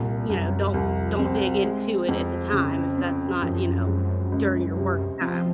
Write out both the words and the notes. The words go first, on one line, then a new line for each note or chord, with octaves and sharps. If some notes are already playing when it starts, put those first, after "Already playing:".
you know, don't don't dig into it at the time if that's not, you know, during your work time.
Already playing: C2 A#2
C2 F#2
C2 F2
C4
G#3
F2
C#3
C4
F#2 F3
G#3
C#2
C3
F3 C4